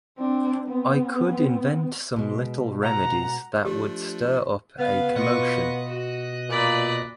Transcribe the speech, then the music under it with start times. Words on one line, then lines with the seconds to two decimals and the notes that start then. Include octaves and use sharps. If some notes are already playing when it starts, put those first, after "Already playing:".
I could invent some little remedies that would stir up a commotion.
0.18 C4 D4
0.68 B3 C4
2.16 B2 G#3
2.83 F#5 A#5
3.65 F3 A3 D4 G4
4.79 C#3 B3 F5
5.16 B2 F4 D#5 C#6 F#6
5.86 F#4
6.50 A#2 D5 B5